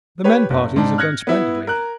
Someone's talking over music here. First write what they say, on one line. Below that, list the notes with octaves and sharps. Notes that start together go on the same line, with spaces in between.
The men parties have done splendidly.
G4 B4 C#5
F#1
G#2 D4
F6 F#6 G#6 A#6 C#7
B3 E4
A#4 F#6